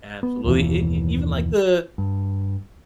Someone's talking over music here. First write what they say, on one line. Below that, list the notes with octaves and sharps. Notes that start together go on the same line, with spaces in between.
Absolutely, e e even like the
B3
F#1 D#2 B2 E3
G2